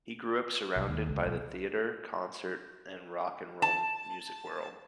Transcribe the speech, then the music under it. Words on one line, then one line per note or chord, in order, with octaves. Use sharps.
He grew up surrounded by the theatre, concert, and rock and roll music world.
B1
D#2
C#2
B1
A5